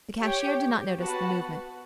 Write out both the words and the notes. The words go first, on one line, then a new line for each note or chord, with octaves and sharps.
The cashier did not notice the movement.
G4 C#5 G5
B3 F#4 B4 F#5 A5